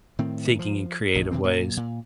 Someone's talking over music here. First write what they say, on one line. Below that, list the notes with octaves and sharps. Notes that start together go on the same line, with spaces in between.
thinking in creative ways.
A2 D#3 C4
F3
A#1 D#3
C3 E3 C4
A#2 F#3 A#3
A#2